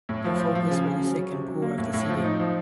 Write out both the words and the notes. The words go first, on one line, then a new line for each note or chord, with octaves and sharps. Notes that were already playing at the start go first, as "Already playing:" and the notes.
Their focus were the sick and poor of the city.
A2
F3
F3
F3
C#3
C#3
F#3
C#4
C3
F#3
A#3
A2
A2
F3
D#4
F3